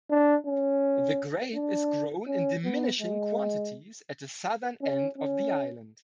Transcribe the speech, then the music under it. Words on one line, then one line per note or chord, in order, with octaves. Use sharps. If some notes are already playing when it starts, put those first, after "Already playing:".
The grape is grown in diminishing quantities at the southern end of the island.
D4
C#4
D4
C#4
B3
G#3
C#4
C#4